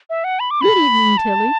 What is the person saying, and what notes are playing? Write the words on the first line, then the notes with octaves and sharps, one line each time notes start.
Good evening, Tilly!
E5
F#5
B5
D6
B5
A5